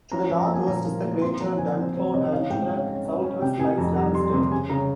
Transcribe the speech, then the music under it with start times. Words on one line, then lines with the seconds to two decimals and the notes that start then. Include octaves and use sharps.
To the northwest is the crater Dunthorne, and to the southwest lies Ramsden.
0.12 C#4 A#5
0.30 F3
0.39 A#5
0.48 A#3
0.54 G#5
0.67 A#2 A#5
0.85 A#3
1.04 A#3
1.21 C4 C6
1.41 F3 A#5
1.58 F3 G#5
1.77 C4 C5
1.95 C4 C#5
2.14 C3 D#5
2.32 C#4 F5
2.50 G#2 G5
2.68 C#4 F5
2.87 C#4
3.05 C#4
3.24 C#4
3.42 C3 G5
3.60 C3 G#5
3.78 F2 A#5
3.96 G3 A#5
4.15 G3 C6
4.33 C3 C6
4.52 C#3 G#5
4.70 C#3 A#5